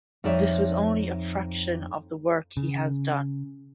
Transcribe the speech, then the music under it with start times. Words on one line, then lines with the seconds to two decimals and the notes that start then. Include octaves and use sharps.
This was only a fraction of the work he has done.
0.24 F2 D#4 C#5 D5 E5
2.57 C#3